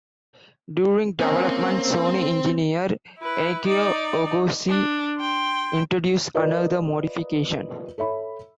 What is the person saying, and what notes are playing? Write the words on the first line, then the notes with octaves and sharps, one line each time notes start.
During development, Sony engineer Akio Ohgoshi introduced another modification.
A#3 C4 C#4 G#4
E4 B4
D#4 D5
D4
G5 C6
F4 A#4 B4 D5 D#5
A4 C#5 E5 B5